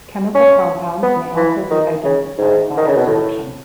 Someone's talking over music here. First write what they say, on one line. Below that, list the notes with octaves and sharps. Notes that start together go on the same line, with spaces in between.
Chemical compounds may also be identified by absorption.
C#4
B3
E3
D#3
C#3
G#2
D#3
C#3
B2
A2